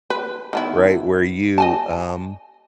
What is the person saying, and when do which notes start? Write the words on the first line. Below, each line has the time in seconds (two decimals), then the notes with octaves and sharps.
right, where you, um,
0.10 B4
0.53 D#3 B3 E4
1.58 D#5 G#5 A5